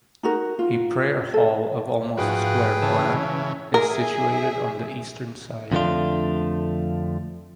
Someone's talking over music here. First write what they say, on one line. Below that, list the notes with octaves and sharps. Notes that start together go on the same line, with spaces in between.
A prayer hall of almost square plan is situated on the eastern side.
D#4 F#4 A#4
F4
A4
G#2 F3 A3 F#4 G#4 B4 G5
C#3 E3 A5
G#4 A#4 E5
F2 D3 F3 A3 D4 F4